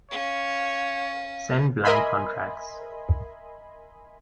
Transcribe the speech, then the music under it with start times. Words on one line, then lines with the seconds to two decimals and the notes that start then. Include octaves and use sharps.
Send blank contracts.
0.11 C#4 C#5 F5
1.84 A#4 D#5 E5 G#5 B5 C6